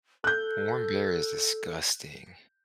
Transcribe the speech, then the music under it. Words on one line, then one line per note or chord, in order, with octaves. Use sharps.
Warm beer is disgusting.
A4 F#6 G6